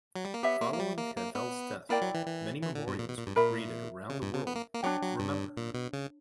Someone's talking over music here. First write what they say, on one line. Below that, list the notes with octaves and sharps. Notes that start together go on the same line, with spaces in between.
Following Cavell's death, many memorials were created around the world to remember her.
F#3
G3
A#3
B3 G4 C#5 E5
A#3
A#3
G3
A#3
A#3
B3
A#3 E4 A#4 D5 G5
F#3
E3
E3
E3
D3
G2
A#2
B2
A#2
G2
A#2 A#4 E5 B5
C#3
G2
C#3
B3
A#3
A#3
F#3 D4 F#4 C#5 G5
F#3
G2
A#2
B2
C#3